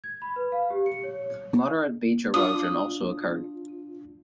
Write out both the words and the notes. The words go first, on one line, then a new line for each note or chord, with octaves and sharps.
Moderate beach erosion also occurred.
G#6
B5
B4
F5
G4
C#7
C#5
D4 F4 D#6